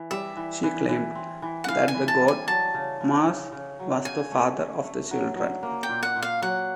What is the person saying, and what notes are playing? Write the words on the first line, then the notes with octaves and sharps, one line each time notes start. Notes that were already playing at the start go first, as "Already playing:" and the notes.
She claimed that the god Mars was the father of the children.
Already playing: E3
G3 E5
E3
E3
E3
C4
E3
F#5
E3 F5
G#5
E3
A5
G3
G#5
F#3 A5
C#3
C#3
C#3
C#3
F#3
C#3 G#5
A3
A3
A3
F#3
F#3
A#3
G5
A#2
F#5
A#2
F5
F#3 F#5